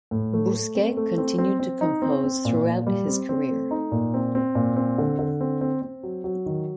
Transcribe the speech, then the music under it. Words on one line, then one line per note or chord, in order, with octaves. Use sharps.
Bousquet continued to compose throughout his career.
A2
A3
A3
C4
A3
C4
C4
C4
D#4
C4
C4
A#2
A#2
G3
C4
C4
A3
D#4
A#2
C4
C4
A#2
C4
D3
D3
C4
C4
C4
F#3
F#3
D#3